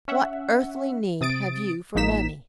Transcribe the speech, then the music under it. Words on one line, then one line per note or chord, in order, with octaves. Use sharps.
What earthly need have you for money?'
C#4 E5 F#5
C3 D#6 A6 D7
A1 F3 A#3 D#4 B6 E7